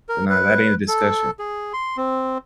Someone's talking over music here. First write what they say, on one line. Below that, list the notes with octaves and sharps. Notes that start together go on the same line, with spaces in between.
But nah, that ain't a discussion.
A#4
B4
A4
G#4
C6
C4